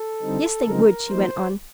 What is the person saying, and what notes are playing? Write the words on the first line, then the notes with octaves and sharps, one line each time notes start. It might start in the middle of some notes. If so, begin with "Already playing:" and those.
"Yes, they would," she went on.
Already playing: A4
D3 G3 C4 D#4
C#3 F3 G#3 C4 D#4 A#4
F3 A#3 D#4 C5